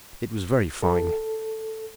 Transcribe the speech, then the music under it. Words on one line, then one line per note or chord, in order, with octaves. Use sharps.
It was very fine!
A4